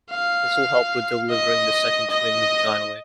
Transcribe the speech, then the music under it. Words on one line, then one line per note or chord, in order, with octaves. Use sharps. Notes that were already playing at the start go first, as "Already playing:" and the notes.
This will help with delivering the second twin vaginally.
F5
D#5
D#5